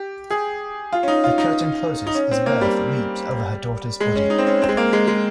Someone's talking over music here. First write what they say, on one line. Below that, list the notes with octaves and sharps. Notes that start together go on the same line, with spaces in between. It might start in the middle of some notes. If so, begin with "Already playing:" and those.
The curtain closes as Berthe weeps over her daughter's body.
Already playing: G4
G#4
F4
C#4
D#4
F4
D#4
D#4
C#4
C4
A#3
G3
G#3
C#4
D#4
C4
C#4
C4
G#3
A#3
G#3
G#3